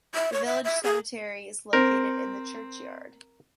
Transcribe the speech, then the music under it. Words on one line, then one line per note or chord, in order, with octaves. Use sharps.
The village cemetery is located in the churchyard.
E5
C#5
E5
E5
G#4
C4 A#4